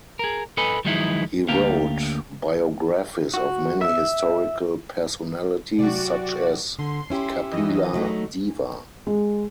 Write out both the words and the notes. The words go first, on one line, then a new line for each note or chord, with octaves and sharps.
He wrote biographies of many historical personalities, such as "Kapila Deva".
G#4 A#4
A4 B4 D#5 G#5 B5
D#3 F3 F#3 G#3 D#4 E4
D2 A#3 D4 G4 F5
F#4
E5
C3 F#3 F#4 D5
D3 C6
C#4 E4 G4
F#2 E3 D#5
F#3 A3 D#4
G#3